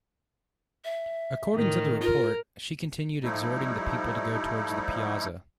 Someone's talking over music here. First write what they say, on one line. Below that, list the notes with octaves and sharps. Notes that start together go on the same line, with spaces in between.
According to the report, she continued exhorting the people to go towards the piazza.
E5
A2 D#3
F4 A#4
F3 G3 A3 D#4 E4